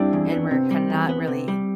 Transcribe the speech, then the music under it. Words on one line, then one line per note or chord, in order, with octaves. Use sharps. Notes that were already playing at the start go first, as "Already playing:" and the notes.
and we're kinda not really
Already playing: G3 C4 D4 E4
E2
B3
C3 C4
G3
E2
B3
C3
G3